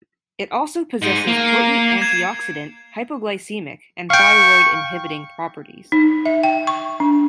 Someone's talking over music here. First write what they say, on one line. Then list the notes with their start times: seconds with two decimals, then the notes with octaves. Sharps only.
It also possesses potent antioxidant, hypoglycemic and thyroid inhibiting properties.
1.02 G#2 G#3 G6 D7 D#7
1.27 A#3
1.45 C7 C#7
1.98 G#6 E7
4.10 F5 G5 C#6
5.92 D#4
6.26 E5
6.43 G5
6.67 C#6
7.00 D4